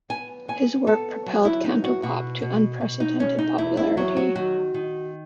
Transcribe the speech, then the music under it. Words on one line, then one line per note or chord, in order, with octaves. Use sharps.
His work propelled Cantopop to unprecedented popularity.
B3 G#5
B3 G#5
B3 A4
F#3
E4
B3 D#4
F#4
B2 F#4
B2
B2
D#4
G#3 C#4
D#4
E2 E4
E4
F#3 F#4
F#4
D#3 F#4
D#3